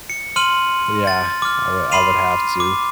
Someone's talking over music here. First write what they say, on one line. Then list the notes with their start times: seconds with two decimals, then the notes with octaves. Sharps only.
yeah, I would I would have to.
0.10 C#7
0.36 C6 F6 D#7 F#7
1.07 A6
1.42 D6 F6
1.92 B5 C6 C7 D#7 F7
2.60 D6